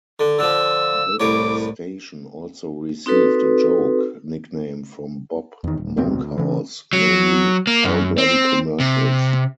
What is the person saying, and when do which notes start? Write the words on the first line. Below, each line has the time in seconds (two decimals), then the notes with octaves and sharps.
The station also received a joke nickname from Bob Monkhouse, namely "All Bloody Commercials".
0.20 D3
0.39 D3 F3 E6
1.20 C2 A2 C#5 D6
3.06 C4 D#4 F#4 A4 B4
5.64 E2 D#3
5.77 D#1
5.97 F1 D2 B2 C4
6.19 D2
6.38 C#3 E3
6.93 F#3
7.67 A#3
7.84 F#2
8.18 C4
8.80 C3